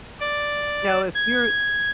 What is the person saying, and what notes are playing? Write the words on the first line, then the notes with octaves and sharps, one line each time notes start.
You know, if you're
D5
G#6